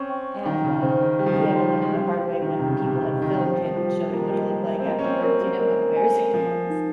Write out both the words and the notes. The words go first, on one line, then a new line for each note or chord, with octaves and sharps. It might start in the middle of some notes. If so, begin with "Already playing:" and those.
and, um, he had to learn the hard way when people had filmed him and showed him what he looked like afterwards, you know how embarrassing it was.
Already playing: C4 C#4 C#6
G5
D#3 F5
C#3
C#3 C5
D#3
G3 C5
F3
D#3
F3
C6
G#3
G3 C5
G3
F4
D#3
C3
C#3 A#5
C3
C#3 D#5
D#3
F3 C5
G3
F3
F3
G3 F4
A#3 F4
G#3
G3
G#3
G5
C4
A#3 D#5
C#4
C4
C#4
C4 A#4
A#3
G#3 A#4
G#5
F3 A#4
D#4